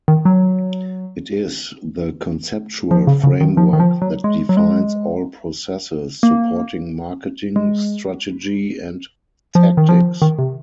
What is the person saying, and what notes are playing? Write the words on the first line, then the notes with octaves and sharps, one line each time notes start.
It is the conceptual framework that defines all processes supporting marketing strategy and tactics.
D#3
F#3
F3
C#3
C#3
D#3
F3
D#3
F3
F#3
G#3
F#3
G#3
A#3
G#3
F3
D#3
F3
D#3
C3